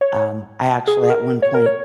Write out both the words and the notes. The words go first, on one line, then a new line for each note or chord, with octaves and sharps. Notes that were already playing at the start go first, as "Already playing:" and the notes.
um, I actually at one point,
C#5
G#4
G#4
A#4
C#5
A#4
C#5